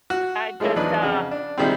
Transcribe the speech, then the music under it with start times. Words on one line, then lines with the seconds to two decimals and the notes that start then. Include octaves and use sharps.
I just, uh,
0.10 F#4
0.60 F3 G#3 A3 C#4 E4
0.76 E2 F3 F#3 D4 D#4 B4
1.02 F2 C#3 F#5
1.31 D4
1.58 C3 D#3 G3 G#3 C4